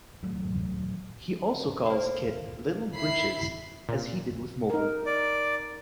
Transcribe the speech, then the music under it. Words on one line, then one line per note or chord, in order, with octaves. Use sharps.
He also calls Kit "Little Britches", as he did with Mowgli.
D#1 A1 F#3 A3
A#3 C5
E4 B5 C7
A#2
D#4 A#4
D5